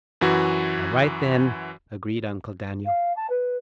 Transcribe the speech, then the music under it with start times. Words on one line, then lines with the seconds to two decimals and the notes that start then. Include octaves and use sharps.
"All right, then," agreed Uncle Daniel.
0.21 F#2 E3 F#4
2.85 F5
3.16 A5
3.29 B4